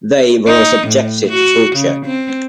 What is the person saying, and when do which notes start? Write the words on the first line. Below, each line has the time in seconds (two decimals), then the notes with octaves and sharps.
They were all subjected to torture.
0.47 D#4
0.88 A2
1.29 F#4
1.76 C#3
2.06 C4